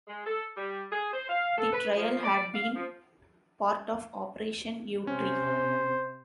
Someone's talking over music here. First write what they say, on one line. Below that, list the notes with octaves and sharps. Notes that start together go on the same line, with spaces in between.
The trial had been part of Operation Yewtree.
G#3
A4
G3
G#4
C5
F5
A4
B4
F3
D5
F5
F3
C3 C#4 C5